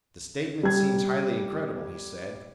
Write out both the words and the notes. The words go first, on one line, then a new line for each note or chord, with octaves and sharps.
"The statement seems highly incredible," he said.
G3 G#6